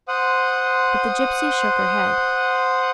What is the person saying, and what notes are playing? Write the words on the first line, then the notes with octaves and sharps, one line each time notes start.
But the gipsy shook her head.
C5 F#5 D#6